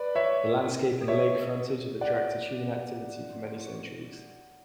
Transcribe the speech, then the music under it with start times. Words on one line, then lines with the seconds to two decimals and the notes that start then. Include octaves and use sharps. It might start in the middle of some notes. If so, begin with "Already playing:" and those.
The landscape and lake frontage have attracted human activity for many centuries.
Already playing: B4 D5
0.15 C#5 E5
1.08 C#5 E5
2.01 D5 F#5